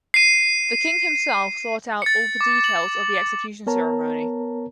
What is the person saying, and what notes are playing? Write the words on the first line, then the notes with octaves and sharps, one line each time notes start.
The king himself thought out all the details of the execution ceremony.
C7 D#7
A6 C#7
D6
F#7
B3 A#4 C#5 A5 A#5